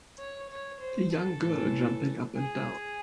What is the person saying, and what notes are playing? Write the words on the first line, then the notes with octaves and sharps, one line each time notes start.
A young girl jumping up and down.
C#5
C#5
C5
A4
A2 E3
G#4